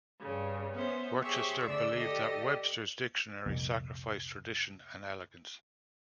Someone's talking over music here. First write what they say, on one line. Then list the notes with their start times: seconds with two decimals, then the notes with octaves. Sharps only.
Worcester believed that Webster's dictionary sacrificed tradition and elegance.
0.20 G2 C#3
0.76 B3 C#4 C5 E5
1.21 G4 G#4 C5 C#5 E5 C#6
1.65 D2 C#3 D5 E6
1.97 G4 A4 D5 D#5
3.46 C2 F2 A#2